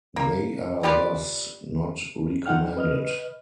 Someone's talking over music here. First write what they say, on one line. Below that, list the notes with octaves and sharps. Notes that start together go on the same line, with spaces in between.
They are thus not recommended.
A#3
F4 G4 B4 D5
F3 D#4 F#5 G5 F6
B4 D#5 F6